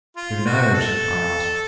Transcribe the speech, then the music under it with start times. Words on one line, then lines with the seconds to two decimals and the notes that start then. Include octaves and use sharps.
"Who knows?" I asked.
0.16 F4
0.46 F#4
0.74 A4